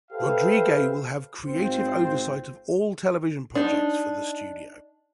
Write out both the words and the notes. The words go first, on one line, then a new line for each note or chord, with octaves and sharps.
Rodrigue will have creative oversight of all television projects for the studio.
G4 A4 B4 C5 E5 F5
G#1 C4 F4 C5
D4 D#4